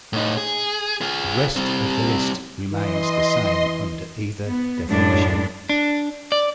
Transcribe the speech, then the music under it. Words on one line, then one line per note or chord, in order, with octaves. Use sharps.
The rest of the list remains the same under either definition.
A2 D#4
G#4
F4 G#4
G3 C4
E3 D#5 C6
B3
F#2 A2 G#3 D4
D4
D5